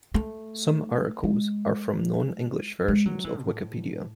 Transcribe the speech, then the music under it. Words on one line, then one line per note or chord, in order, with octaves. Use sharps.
Some articles are from non-English versions of Wikipedia.
A3
G#3
G#3
F#3
E3
A2